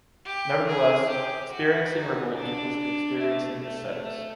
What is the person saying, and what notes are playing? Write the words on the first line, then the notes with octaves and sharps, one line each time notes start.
Nevertheless, experiencing revolt equals to experiencing ascetics.
G4
G#4
G4
F#4
D#4
D4
A3
A3
A3